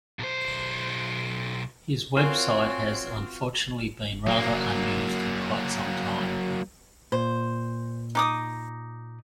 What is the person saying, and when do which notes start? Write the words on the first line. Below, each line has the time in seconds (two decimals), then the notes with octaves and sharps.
His website has unfortunately been rather unused in quite some time.
0.19 B1 C5
2.17 C4 F4 F#4 A#4 C#5 G#5
4.27 F#3 A#3
7.12 A#2 C5
8.15 D#4 D6 D#6